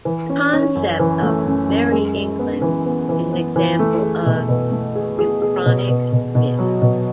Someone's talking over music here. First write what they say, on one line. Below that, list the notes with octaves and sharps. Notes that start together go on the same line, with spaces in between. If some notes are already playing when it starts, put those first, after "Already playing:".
The concept of Merry England is an example of uchronic myth.
E3
C#4
C#4
F#2
E3
A3
F#2
F#2
G#3
G#3
B3
E3
B3
E3
B3
E3
A3
G#4
B2
B2
A3
G#4
G#4
G#4
B2
B2
B2
B2
F#3
B2